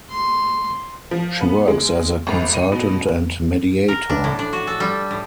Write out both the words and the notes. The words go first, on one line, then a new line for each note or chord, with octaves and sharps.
She works as a consultant and mediator.
C6
F3
B3
G#3
G#1
D#7
B2
A#4
D4
A2
D4
F#4
A4
G3
A2